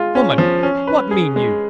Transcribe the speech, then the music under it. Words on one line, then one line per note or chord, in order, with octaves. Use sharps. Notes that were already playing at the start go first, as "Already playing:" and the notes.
"Woman, what mean you?"
Already playing: G#3 F4
C#4
F3
C#4
B4
G#4
G#3